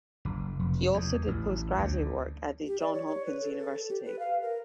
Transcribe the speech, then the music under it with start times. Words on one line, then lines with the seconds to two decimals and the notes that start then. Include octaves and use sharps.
He also did post-graduate work at The Johns Hopkins University.
0.25 F#1
0.59 F1
0.94 E2
1.28 A1
1.77 D2
2.67 G4
2.80 D5
2.93 C#5
3.07 C#5
3.26 B4
3.42 A4
3.58 A4
3.89 G4
4.05 B4
4.19 F5
4.42 A#4